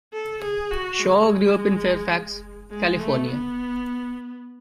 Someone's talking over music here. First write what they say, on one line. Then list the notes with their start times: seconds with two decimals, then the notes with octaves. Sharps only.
Shaw grew up in Fairfax, California.
0.13 A4
0.43 G#4
0.71 F#4
0.99 G#3
2.71 G#3
2.99 A3
3.29 B3